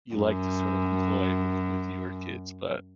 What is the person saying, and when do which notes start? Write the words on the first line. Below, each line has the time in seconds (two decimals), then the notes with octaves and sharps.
you like to sort of employ with with your kids, but
0.15 F#2